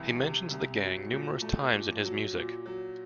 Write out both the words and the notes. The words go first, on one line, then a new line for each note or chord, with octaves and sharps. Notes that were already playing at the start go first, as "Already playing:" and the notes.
He mentions the gang numerous times in his music.
Already playing: C2 E3
C3
C2
F#3
A#2
A3
A#2
F#3
A#2
F#3